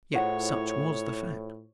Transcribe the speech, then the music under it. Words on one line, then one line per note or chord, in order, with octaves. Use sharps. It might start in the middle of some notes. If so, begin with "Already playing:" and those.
Yet such was the fact.
A2 E4 F4 G#4 C5 C#5 F#5